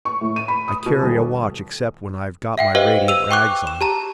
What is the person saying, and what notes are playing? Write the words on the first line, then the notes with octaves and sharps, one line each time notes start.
"I carry a watch except when I've got my radiant rags on."
C#6
A2
D#7
B5
D#6
B2
D#1
E5 F#5 G5
G4 B4 C5 D#5 F5
E6 D#7 F7
G5 C#6 D6 F#6
E7
G4 A5 A#5